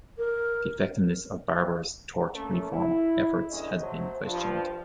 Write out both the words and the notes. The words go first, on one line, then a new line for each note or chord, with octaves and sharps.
The effectiveness of Barbour's tort reform efforts has been questioned.
A#4
A3 A#3 C#4
E4
E2 G2 D3 C#4 D#5
F#3 A3 F#4 A4 C5
G2 F3